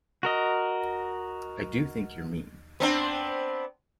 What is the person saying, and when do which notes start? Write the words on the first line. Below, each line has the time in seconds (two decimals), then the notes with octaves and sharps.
I do think you’re mean.
0.23 F#4 A#4 D#5
2.80 B3 C4 D4